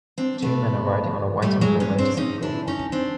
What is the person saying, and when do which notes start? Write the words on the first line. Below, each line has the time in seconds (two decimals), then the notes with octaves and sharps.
Two men are riding on a white and blue motorcycle.
0.18 C4 D4
0.42 A3 B3
1.42 G3 A3
1.61 F#3 G#3
1.80 B3 C#4
1.98 C4 D4
2.17 C#4 D#4
2.42 D4 E4
2.68 C#4 D#4
2.92 C4 D4